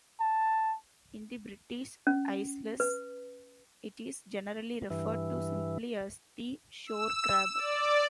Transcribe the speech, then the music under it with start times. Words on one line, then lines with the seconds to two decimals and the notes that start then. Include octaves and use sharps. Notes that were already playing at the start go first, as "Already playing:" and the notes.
In the British Isles, it is generally referred to simply as the "shore crab".
0.20 A5
2.07 C#4
2.80 B4
4.90 G2 E3
6.86 E6
7.56 D5